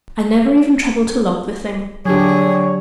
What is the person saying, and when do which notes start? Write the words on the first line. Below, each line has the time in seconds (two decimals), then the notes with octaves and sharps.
I never even trouble to lock the thing.
2.05 D3 F#3 D4 G4 G#4 C#5